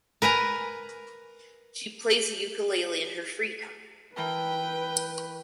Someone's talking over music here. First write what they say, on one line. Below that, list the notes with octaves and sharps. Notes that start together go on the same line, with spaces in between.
She plays the ukulele in her free time.
A#4 B4 G#5 A#5
E3 A#4 B4 G5 A5